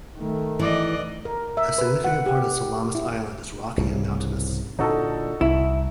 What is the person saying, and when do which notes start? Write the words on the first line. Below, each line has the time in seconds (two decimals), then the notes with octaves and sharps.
A significant part of Salamis Island is rocky and mountainous.
0.18 D#3 A3
0.59 E3 D5 D#5
1.25 A#4
1.57 E5
1.78 B4
2.04 F#5
2.26 G4
2.95 E4
3.77 C2 G#2 C#3
4.79 A#2 D3 D#4 F#4 A4
5.41 C2 E4